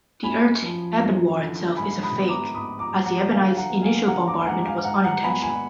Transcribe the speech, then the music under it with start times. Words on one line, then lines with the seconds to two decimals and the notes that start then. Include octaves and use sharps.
The Earth-Ebon war itself is a fake, as the Ebonites' initial bombardment was unintentional.
0.23 F#2 G#5 B5
0.62 F3
1.00 F#2
1.39 D3
1.77 G#2 G#5 B5
2.03 B5 D#6
2.16 B3
2.29 A#5 D6
2.54 G#2 B5 D#6
2.79 A#5 D6
2.92 F3
3.05 F#5 A#5
3.30 D3 F5 G#5
3.57 F#5 A#5
3.69 B3
3.82 F5 G#5
4.07 D3 F#5 A#5
4.27 A#5 D6
4.42 G#5
4.46 G#3 F#5 A#5
4.65 F5 G#5
4.84 G#2 F#5 A#5
5.04 F#5 A#5
5.23 B3 G#5 B5
5.42 G#5 B5